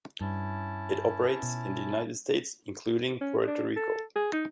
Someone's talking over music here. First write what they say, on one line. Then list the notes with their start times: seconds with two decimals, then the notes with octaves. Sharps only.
It operates in the United States, including Puerto Rico.
0.21 G2 C#4 E4 A5
1.43 B2
3.21 C#4
3.47 D4
3.76 A4
4.16 G#4
4.33 D#4